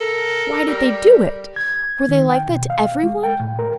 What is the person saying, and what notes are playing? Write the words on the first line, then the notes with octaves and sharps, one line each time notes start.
Why did they do it? Were they like that to everyone?
A4 A#4
G3
G#6
D#3
G5
B2
F5
G#3
G5
A2
A#4